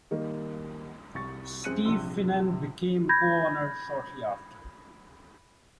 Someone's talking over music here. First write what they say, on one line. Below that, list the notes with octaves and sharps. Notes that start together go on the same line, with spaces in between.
Steve Finan became co-owner shortly after.
D#3 G3 A#3 D#4
C2 C#6 A6
F#2 C4 G#4 F#6 C#7 D#7
A#1 C3 F4 C6 E6 G7
B5 G6 G#6 A#6